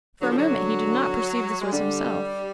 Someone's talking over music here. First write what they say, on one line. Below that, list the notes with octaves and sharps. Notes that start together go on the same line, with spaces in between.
For a moment he did not perceive this was himself.
D3 F#3
F3
F#3
G#3
D3 G3